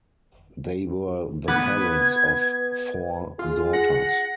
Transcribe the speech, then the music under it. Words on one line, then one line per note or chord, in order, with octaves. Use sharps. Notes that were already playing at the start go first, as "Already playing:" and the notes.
They were the parents of four daughters.
B3 B4 G#6
F4 G#4
F#5 A#6